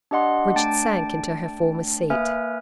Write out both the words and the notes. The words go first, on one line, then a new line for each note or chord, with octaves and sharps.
Bridget sank into her former seat.
D4 G4 D#5 F#5 C6
A3 D4 G5 A5 A6 D7
A#3 B4 E5 G#5 F6